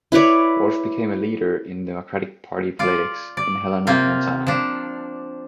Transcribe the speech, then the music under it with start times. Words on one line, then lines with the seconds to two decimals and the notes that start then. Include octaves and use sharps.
Walsh became a leader in Democratic Party politics in Helena, Montana.
0.12 E4 B4 C#5 D5
2.79 F4 D5
3.37 D5
3.87 C3 A#3 C4 F4
4.47 F3 D4